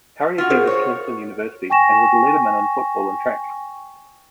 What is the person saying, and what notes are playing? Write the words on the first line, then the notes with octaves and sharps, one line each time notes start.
Currie attended Clemson University and was a letterman in football and track.
F4 F#4
G#4 A#4 C5
F#4 C#5
G5 G#5 C#6 A#6 E7